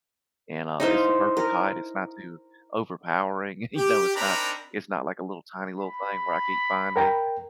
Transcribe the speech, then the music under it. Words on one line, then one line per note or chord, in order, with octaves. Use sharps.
And, uh, it's the perfect height. It's not too overpowering. You know, it's not it's not like a little tiny little thing where I can't find it.
D#4 E4 C5 F5
A#4
G4
C4 D4 D#4 A#4 A#5 B5
B5
A#4 G5 A#5